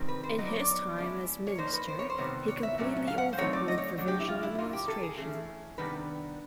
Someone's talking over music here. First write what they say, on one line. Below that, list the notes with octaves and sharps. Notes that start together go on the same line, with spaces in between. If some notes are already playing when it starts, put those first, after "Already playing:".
In his time as minister, he completely overhauled provincial administration.
Already playing: C3 D#3 G3 C4
B4
C5
F#3 B3 D#4 D#5
D5
C#5
D5
F3 G#3 C#4 E4 D5
C#5
F3 A#3 D#4 C5
B4
C5
C#5
C5
C3 D#3 G3 B3
C#5
E5
A#2 F#3 A3 C#4
F5
F#5
C5
F#3 A3 C4 D#4 C#5
D5
D#5
C#5
F#3 A3 D4
G4
E4
F4
E4
A#2 F#3 A#3 D#4 F4
G4
A4
G#4
E3 A3 C#4 E4 G#4
C3 D#3 G3 B3 D4 B4